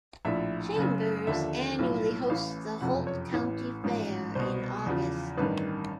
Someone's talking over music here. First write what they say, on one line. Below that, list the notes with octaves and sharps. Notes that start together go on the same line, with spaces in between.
Chambers annually hosts the Holt County Fair in August.
A#1 A2 F3 E5
F#1 F#2 C#3
D#2 D3 F3 E5
B1 A2 F3
A1 A2 E3 F5
F#1 F2 C3 F3 F#5
C#5
A1 A2 E3
A1 G#2 F3
C2 B2 C5
E2 C#3 F3
A1 G2 D#3 B4